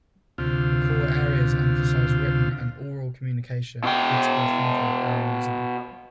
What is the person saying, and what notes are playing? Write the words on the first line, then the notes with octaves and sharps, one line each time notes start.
The core areas emphasize written and oral communication, critical thinking and reasoning.
D2 C3 F4
B2 G5